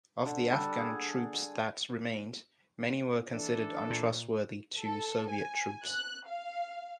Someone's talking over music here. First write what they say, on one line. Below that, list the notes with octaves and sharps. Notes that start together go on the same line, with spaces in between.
Of the Afghan troops that remained, many were considered untrustworthy to Soviet troops.
D3
G3 A4 F#5
G#4
E3 D4 A4
A#2
A4
G#5
F#6
F5